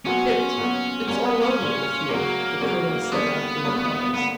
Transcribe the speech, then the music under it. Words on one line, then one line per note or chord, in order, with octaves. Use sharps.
"Pitt, it's all over with me," the Colonel said after a pause.
A#2 F#3 B3 C#4 F#4
A#2 F#3 B3 F#4
A#2 G3 A#3 C#4
B3
C#4
A#2 G3 A#3
C#3 F#3 A#3 C#4
C#3 F#3 C#4
D3 G3 A#3 B3 C#4
D3 G3 A#3 C#4
D3 A#3 B3